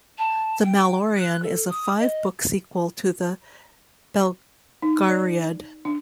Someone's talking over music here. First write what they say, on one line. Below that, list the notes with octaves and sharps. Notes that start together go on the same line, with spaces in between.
"The Malloreon" is a five-book sequel to the "Belgariad".
A5
G5
F#6
A4
D#6
D#5
D#4
D5
D4